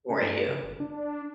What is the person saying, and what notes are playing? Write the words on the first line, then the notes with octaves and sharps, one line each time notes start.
for you.
C#3
G2
C#3
G1
D4